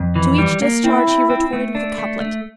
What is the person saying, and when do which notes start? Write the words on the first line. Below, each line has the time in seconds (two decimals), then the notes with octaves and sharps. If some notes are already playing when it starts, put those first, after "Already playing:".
To each discharge he retorted with a couplet.
Already playing: F2
0.16 E3
0.38 G3
0.62 A#3
0.84 C4 E4
1.07 C4
1.30 C4
1.53 A3
1.75 D4
1.98 A3
2.20 A3